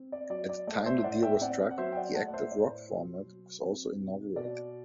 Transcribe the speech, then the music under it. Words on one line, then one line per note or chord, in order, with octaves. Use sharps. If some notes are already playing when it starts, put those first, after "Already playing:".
At the time the deal was struck, the active rock format was also inaugurated.
Already playing: C4
D5
F#3 D5
D5
A3 D5
C5 E5
E5
A2 D5 F#5
E5 G5
C4 D5 F#5
F#5
F#3 C5 E5
G5
D5 F#5
A3 F#5 A5
D5
C5 E5
A2 D5
C5
B2
F#3
C4
B2
B2 D5